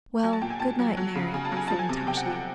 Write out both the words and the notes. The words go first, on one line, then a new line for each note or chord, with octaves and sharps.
"Well, good night, Mary!" said Natasha.
F#3 G#5
A5
A#2 G5
G#5
A#2 A5
F#3
F#3
C#3
C#3 G#5
A5
F#3 G#5
F3 A5
G#5
C3
C3 G5
F#5
F3 G5